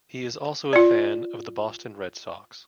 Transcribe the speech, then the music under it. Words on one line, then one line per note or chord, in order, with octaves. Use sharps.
He is also a fan of the Boston Red Sox.
F4 D5